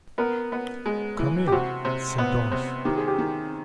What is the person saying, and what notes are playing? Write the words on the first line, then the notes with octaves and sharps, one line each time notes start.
"Come in," said Oz.
B3 A#4
B3
G#3
E3
G4
C3 F#4
C3
B3
C3
D#3 G4
G#4
G4
D#3